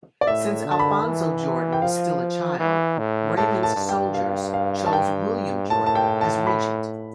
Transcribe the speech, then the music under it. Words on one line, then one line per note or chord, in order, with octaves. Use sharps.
Since Alfonso-Jordan was still a child, Raymond's soldiers chose William-Jordan as regent.
D5
A2 E5
D3
A5
B5
E3
G5
F3 F5
E3
A2
A2 A5
A5
G2
G5
F5
F5
A5
G5
A2 A5
A5
G5
A5
B5